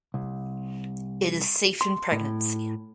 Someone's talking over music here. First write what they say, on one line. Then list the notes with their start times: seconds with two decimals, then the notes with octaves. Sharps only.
It is safe in pregnancy.
0.14 C2
1.81 C6
2.12 A2